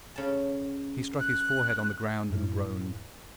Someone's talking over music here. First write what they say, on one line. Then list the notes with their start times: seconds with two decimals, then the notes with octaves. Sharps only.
He struck his forehead on the ground and groaned.
0.16 C#3 A5
1.20 F#6
2.30 F#2 A2 E4